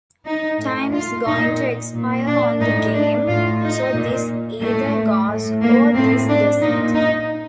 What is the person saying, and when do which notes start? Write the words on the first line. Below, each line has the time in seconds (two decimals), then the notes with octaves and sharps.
Time's going to expire on the game, so this either goes or this doesn't.
0.25 D#4
0.59 A2
0.92 F4
1.26 A#2 D#4
1.93 A#2
2.27 D4
2.60 A2 D#4
2.94 D4
3.27 A2 F4
3.60 D#4
3.93 A#2
4.60 A2 A3
5.27 A2
5.62 A#3
5.94 A2 C4
6.28 D4
6.61 A#2 D#4
6.94 D#4